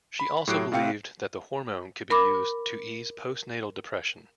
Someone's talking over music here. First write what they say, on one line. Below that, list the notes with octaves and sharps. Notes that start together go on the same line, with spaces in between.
She also believed that the hormone could be used to ease postnatal depression.
B5
A2 F#3 G4 F#6 C7 D7
A2 C3 C4 F5 G5 C#7
A#4 B5 D6